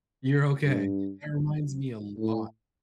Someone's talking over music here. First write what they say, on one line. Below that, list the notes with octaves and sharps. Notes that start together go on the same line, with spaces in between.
You're okay. That reminds me a lot
G2
A2